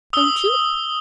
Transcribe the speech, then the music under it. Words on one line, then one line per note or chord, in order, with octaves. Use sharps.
Don't you?'
D#6 E6 G7